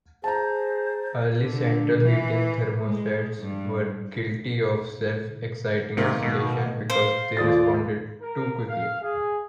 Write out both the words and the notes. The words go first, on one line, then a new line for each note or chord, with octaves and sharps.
Early central heating thermostats were guilty of self-exciting oscillation because they responded too quickly.
G#4 C5 A5 A#5
D3
E3
G#3
G2
G#2 C3 D#3 A#3
B2
C5 F5
D#2 F4 D5 D#6 A6
A#4
F5
G#4